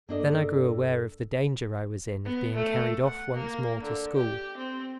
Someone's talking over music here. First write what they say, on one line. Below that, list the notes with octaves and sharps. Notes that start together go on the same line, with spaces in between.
Then I grew aware of the danger I was in of being carried off once more to school.
G2 A#3 D4 A4 D#5
B3
A3
F#5
A#3
D3
G4
C4